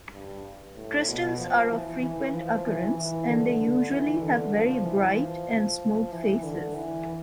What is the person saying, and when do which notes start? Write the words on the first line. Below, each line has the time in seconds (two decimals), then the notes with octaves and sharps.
Crystals are of frequent occurrence and they usually have very bright and smooth faces.
0.13 G2
0.76 A2
1.08 B2
1.39 F3
1.70 E3
2.02 E3
2.34 F3
2.65 E3
2.97 E3
3.28 D3
3.60 D3
3.91 E3
4.23 D3
4.54 F3
4.85 E3
5.17 F3
6.12 E3
6.44 D3
6.74 E3